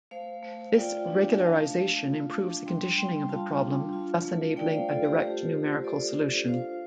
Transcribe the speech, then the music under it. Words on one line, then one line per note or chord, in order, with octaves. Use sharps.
This regularization improves the conditioning of the problem, thus enabling a direct numerical solution.
A3 C5 F5
A3
F4 D5 G5
D4
A3 F5 A5
A3 F5 A5
F4
D4
G3 G5 C6
G3 G5 C6
F4 F5 A5
D4
F4
A3
A3 D5 G5
C5 F5
F4 A4 D5
G4 C5
A3 G4 C5
A3
C5
F4 A4 D5
D4
F4 C5 F5